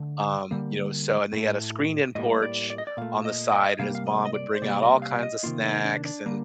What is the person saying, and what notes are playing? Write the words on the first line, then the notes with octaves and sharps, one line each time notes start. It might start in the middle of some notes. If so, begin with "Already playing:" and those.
um, you know, so and they had a screened-in porch on the side, and his mom would bring out all kinds of snacks and,
Already playing: D3 A3
D3 G3 A#3
A2 A3
A2 G3 A#3 D#5
D5
D5
D#5
D5
A#2 A3 F5
D#5
D#5
C3 G3 A#3 F5
F5
D#5
D#5
D5
C5
C3 G3 A#3 D5
D#5
F5
D#5
C3 D#3 A#3 F4
D#4
D4
D4
D3 G3 A#3